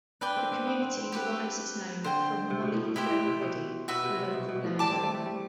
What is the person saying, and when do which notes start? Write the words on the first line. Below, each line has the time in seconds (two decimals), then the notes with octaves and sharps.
The community derives its name from Mollie Ferrel Heady, a local land owner.
0.21 D4 B4 D5 G5
0.37 C4
0.52 C4
0.67 B3
0.82 C4
0.97 C4
1.12 G4 B4 F#5
2.04 D3 C5 G5 C6
2.50 C3
2.62 B2
2.74 A2
2.85 B2
2.96 A2 E4 G4 C5
3.11 E3
3.27 C3
3.42 B2
3.88 B2 F#4 B4 E5
4.03 C3
4.19 C3
4.33 B2
4.49 B2
4.64 A2
4.79 G3 D5 A5 D6
4.91 C4
5.03 A3
5.14 A3
5.26 G3